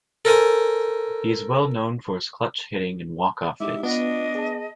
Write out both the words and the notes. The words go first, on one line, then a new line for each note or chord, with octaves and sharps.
He was well known for his clutch hitting and walkoff hits.
A4 A#4 C5 G#5 A5
G#3 D#4 E4 G4 D6
B3 D4 F4 D#5
G#4 A5